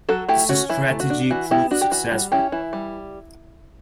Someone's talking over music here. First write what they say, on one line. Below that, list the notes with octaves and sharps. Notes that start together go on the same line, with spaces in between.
This strategy proved successful.
F#3 F#4 A4
A3 E4 G4
C#4 F#4
E3 E4
A3
F#4
D4
E3 F#4
B3 E4 G4
D4 F#4
G4
E3 F#4
G3 F#4
C#4 E4 G4
E3 E4
G3